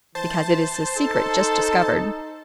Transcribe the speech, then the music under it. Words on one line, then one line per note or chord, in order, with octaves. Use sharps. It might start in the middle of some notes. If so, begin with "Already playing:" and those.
"Because it is a secret just discovered."
E3 C5 A5
D#4 A4